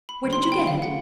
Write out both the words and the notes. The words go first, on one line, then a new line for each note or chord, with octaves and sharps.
Where did you get it?
B5
C#3 F#3 A3 D4 F#4
C6
B5
G5
F5
C#3 F3 A3 F#5